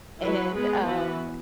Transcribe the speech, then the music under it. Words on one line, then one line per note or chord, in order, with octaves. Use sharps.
And, um,
F#3 E4 B4
G#3 B3 G#4 B4
E3 B3 F#4 B4